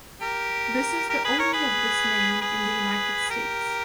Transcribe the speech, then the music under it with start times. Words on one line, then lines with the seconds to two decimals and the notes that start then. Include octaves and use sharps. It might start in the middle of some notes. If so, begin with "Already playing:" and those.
This is the only of this name in the United States.
0.22 G4 A#4
1.10 G4 A#4
1.25 G#4 B4
1.39 A#4 C#5
1.53 G#4 B4
2.42 G#4 B4
3.30 G4 A#4